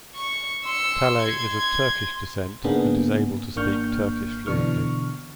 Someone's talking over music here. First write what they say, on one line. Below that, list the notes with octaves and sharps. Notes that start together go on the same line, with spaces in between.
Talay is of Turkish descent, and is able to speak Turkish fluently.
C#6
C6 E6 C#7
G#6
G#2 C#3 A#3 B3 D4 G#4
G#1 A#3 D4 C#6 F6 G6
B2 D3 E3 D4 C#6 F6